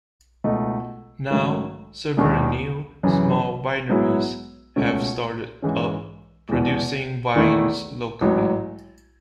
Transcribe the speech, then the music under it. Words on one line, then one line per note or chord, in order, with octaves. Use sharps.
Now, several new, small wineries have started up, producing wines locally.
C#2 B2 A3 D#4
G#2 D#3 F#3 A3 C#4
E1 D#2 D#3
F#2 C#3 E3
G#2 F#3 B3 E4 G#4
C#2 B2 A3 C#4
G#2 E3 G#3 C#4
E1 E2 B2
E2 D#3 A3 E4
A1 G#2 F#3